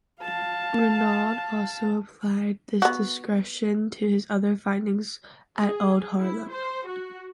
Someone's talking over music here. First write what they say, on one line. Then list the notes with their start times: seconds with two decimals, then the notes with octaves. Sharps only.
Renaud also applied this discretion to his other findings at Oud Haarlem.
0.21 F5 A5
2.82 B3 F#4
5.57 G#4
6.20 E4
6.51 C5
6.87 F#4